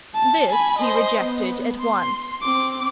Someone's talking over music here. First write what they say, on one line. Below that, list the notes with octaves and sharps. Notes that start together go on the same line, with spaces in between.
This he rejected at once.
A5
G#5 B5
C5 D#5
B3
C6
C4 D6